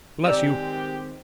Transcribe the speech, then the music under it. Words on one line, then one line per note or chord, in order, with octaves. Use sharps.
Bless you!'
D#3 G#3 C4 G4 D5 A#5 E6